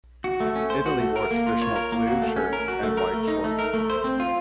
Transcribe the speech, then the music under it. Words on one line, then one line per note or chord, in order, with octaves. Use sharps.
Italy wore traditional blue shirts and white shorts.
F#4
A3
C#4
C5
F#4
A3
A#4
A#3
F4
C#5
A#4
A#3
F#4
A3
C#4
A#4
F#4
A3
A#4
A3
D#4
A3
A#4
A3
C5
C4
F4